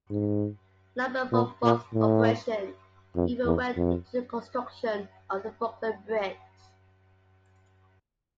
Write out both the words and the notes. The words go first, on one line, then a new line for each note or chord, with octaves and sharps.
Lumber from Buck's operation even went into the construction of the Brooklyn Bridge.
G#2
A#2
A#2
A2
F2
E2
F2